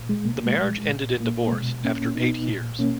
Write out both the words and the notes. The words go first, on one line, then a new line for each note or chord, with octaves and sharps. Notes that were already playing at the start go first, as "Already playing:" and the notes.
The marriage ended in divorce after eight years.
Already playing: A#2
G#3
B2 A#3
A#3
G#3
A#2
A#2
A#2 A#3
A#3
B2 G#3
A#2 A#3 C#4
B2 B3 D#4
A#2
B2 A#3 C#4